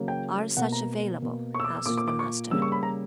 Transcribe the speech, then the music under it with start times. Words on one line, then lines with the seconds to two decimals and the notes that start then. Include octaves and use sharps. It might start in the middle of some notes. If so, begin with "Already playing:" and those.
"Are such available?" asked the Master.
Already playing: C#3 F#3 A#3
0.08 G5
0.57 B2 A#3 F#5
0.72 A#5
1.22 B2 A#3
1.54 C#6
1.60 E6
1.64 D6
1.75 E6
1.86 A#2 A#3 D6
1.98 D6
2.08 D6
2.19 C#6
2.51 C#3 G3 A#3 E6
2.62 C#6
2.72 B5
2.83 A#5